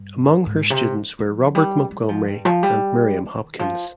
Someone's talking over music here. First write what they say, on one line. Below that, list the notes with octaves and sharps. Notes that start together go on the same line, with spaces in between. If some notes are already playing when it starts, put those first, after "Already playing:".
Among her students were Robert Montgomery and Miriam Hopkins.
Already playing: G2
G#2
C3
F3
G3
G3
F3
G2
F3
G3
F3
D#3
F3